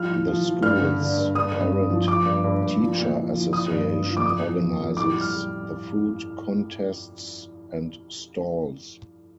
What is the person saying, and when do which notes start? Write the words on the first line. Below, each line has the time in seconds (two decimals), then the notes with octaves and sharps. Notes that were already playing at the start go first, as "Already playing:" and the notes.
The school's Parent Teacher Association organises the food, contests and stalls.
Already playing: F3 G3 F6
0.09 A2
0.27 F3
0.45 F3
0.63 G2 F6
0.81 D3
1.00 D3
1.18 G2
1.35 G2 D#6
1.54 G2
1.72 G2
1.90 F3
2.08 F3 D6
2.26 G2
2.44 G2
2.62 G2
2.80 F3
2.98 A#2
3.16 F3
3.34 F3
3.53 F3 D#6
3.71 G2
3.89 G2
4.07 F3
4.17 D6
4.26 F2 D#6
4.44 F2
4.61 F2
4.79 F2
4.97 A2 D6
5.15 G3
5.21 F6
5.34 G3